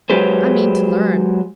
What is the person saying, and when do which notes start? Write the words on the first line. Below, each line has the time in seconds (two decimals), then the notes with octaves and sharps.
I mean to learn.
0.10 F#3 G#3 G4 G#4 B4 C5